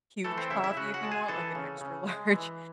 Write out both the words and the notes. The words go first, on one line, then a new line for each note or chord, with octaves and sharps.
huge coffee if you want, like an extra large,
E3 A3 A4
C4 C5
C#3 E4 E5
E4 E5
C#3 F#4 F#5
F#4 F#5
G#3 A5
G#4 G#5
E3 A4 A5
C#3
C#3
G#3
E3